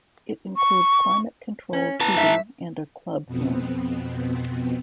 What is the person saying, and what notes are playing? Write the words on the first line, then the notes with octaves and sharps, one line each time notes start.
It includes climate-controlled seating and a club room.
C#6
C#4
B3 E4 A5 A#5
G#2 E5
F2 B2 B3 C4